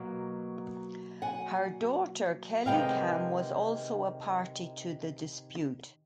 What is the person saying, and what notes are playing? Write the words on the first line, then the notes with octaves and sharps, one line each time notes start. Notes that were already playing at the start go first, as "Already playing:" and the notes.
Her daughter Kelly Kam was also a party to the dispute.
Already playing: B2 F#3 A#3
F#5 G#5
C3 D#3 G#3 B3 F5 G5